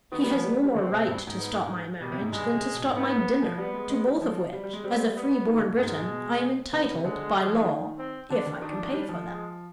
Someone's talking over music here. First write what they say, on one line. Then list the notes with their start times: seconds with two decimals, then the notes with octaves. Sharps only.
He has no more right to stop my marriage than to stop my dinner, to both of which, as a free-born Briton, I am entitled by law, if I can pay for them.
0.12 D#3 B3
0.23 G3
0.33 F3
0.44 G3
0.54 G3
0.64 G3
0.75 D3 C4
0.91 B2
1.07 G2
1.27 G#2
1.38 B3
2.01 B2 G3
2.12 C3
2.22 G#2
2.32 G2 G#3
2.43 B2
2.53 C3
2.74 B2
2.85 G#2
2.96 B3
3.42 F3
3.58 G3 B3
3.74 G#3
3.90 G#3
4.05 G3
4.21 F3
4.53 G3
4.64 G3
4.73 G#3
4.84 G3 C4
5.16 B3
5.47 D#3
5.57 D3
5.68 B2
5.79 G#2 G#3
5.89 G#2
6.00 B2
6.72 C3 B3
6.94 C3
7.04 D3 G#3
7.36 G3
7.47 F3
7.57 D#3
7.99 C4
8.30 D3 D4
8.46 D3
8.62 D#3 D4
8.72 F3
8.83 D#3
8.93 G3
9.09 F3
9.25 G#3